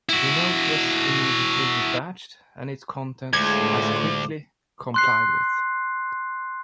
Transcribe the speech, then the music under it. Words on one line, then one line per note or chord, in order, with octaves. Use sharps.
The note was immediately dispatched, and its contents as quickly complied with.
E4 F#4
D2 A2 G#3 F4 D6 G#6
C6 F#6 C7